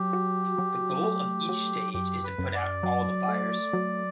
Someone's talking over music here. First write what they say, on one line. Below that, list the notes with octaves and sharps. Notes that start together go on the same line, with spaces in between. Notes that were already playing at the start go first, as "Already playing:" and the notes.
The goal of each stage is to put out all the fires.
Already playing: F#3 G4
F#4
F#3
A3
F#3
F#2 G4
B4
F#2
D5
F#3
A3
F#3